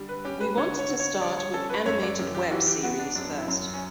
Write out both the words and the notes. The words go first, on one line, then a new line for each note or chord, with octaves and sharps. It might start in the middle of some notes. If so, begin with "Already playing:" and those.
We want to start with animated Web series first.
Already playing: D3 G3
B4
C#4 G4
B4
D3 C#5
C#5
D3
C#5
G3 D5
C#5
C#4 A4
B4
F#2 C#5
D5
F#2 G4
G4
E3 F#4
G4
B3 F#4
D4
F#2 D4
E4
F#2
C#4